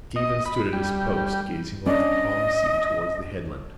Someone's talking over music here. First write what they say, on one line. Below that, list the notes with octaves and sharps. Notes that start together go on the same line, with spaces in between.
Stephen stood at his post, gazing over the calm sea towards the headland.
D#5
B5
G3
C#4 D4 D5 D#5